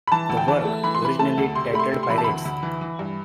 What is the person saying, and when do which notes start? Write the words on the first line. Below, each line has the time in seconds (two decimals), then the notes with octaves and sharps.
The work, originally titled Pirates!
0.07 B5
0.12 E3 A5
0.29 D2
0.37 G5
0.48 E3 A5
0.65 A3
0.84 E3 B5
0.95 C6
1.02 E3 B5
1.19 A3 A5
1.38 D2
1.55 C3 C6
1.73 A3 B5
1.79 C6
1.92 C3
2.03 C6
2.09 E3 B5
2.18 A5
2.24 D2 B5
2.45 D2
2.63 E3
2.81 E3
2.99 G2